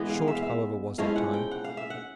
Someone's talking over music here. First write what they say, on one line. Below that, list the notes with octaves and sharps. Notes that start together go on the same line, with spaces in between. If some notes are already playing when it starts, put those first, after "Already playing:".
Short, however, was that time.
Already playing: E3 G#3 B3
F5
E5
F5
E5
F3 G#3 C#4 E4 F5
F#5
G5
F#5
F5
E5
F#5